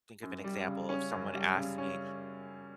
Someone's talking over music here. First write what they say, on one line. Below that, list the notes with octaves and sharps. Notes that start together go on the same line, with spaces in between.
think of an example. If someone asked me,
F#2
G3
C#3
C#4
F#2
G3
C#3
C#4